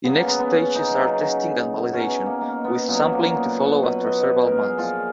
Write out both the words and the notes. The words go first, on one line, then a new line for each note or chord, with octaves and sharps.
The next stages are testing and validation, with sampling to follow after several months.
C#3 F#3 B3
A#3
B3
B3
C#4
D#4
C#3 F#3
B2 F#3 C#4
B3
A#3
A#3
B3
A#2 F#3 B3
A#3
B3
F#4
B2 F#3 B4
D#5
A#4
G#4
A#2 F3 F4